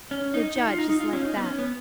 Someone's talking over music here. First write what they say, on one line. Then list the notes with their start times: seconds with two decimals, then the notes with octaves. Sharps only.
The judge is like that.
0.11 C#4
0.34 D#4
0.56 D#4
0.67 F4
0.78 D#4
0.89 D#4
1.00 F4
1.13 C#4
1.22 D#4
1.37 B3
1.43 C#4
1.59 B3